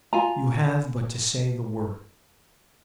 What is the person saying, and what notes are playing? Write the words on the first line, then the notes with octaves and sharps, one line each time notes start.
You have but to say the word.
F4 G#5 A#5